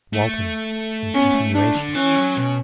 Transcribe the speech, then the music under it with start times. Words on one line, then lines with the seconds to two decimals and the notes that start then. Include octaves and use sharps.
Walton, in continuation.
0.13 A3
1.14 B3 C#4
1.35 A3
1.55 A3 D4
1.75 D3
1.95 E3 C#4
2.16 F#3
2.37 B2